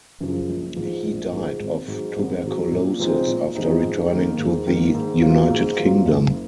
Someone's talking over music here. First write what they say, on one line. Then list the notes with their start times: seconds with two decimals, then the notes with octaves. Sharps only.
He died of tuberculosis after returning to the United Kingdom.
0.20 F#2 C#3 F3
0.49 A#1
0.76 G#2 F3
1.05 A#1
1.32 G#2 F3
1.60 G#1
1.88 G#2 F#3
2.16 G#1
2.43 G#2 F#3
2.72 A#2
2.99 F3 G#3 C4 D#4
3.27 A#2
3.55 F3 G#3 C4 D#4
3.83 G#2
4.11 D#3 A#3
4.38 G#2
4.67 D#3 A#3
4.94 G#2
5.22 F#3 A#3 F4
5.50 G#2
5.78 F#3 A#3 F4
6.06 F#1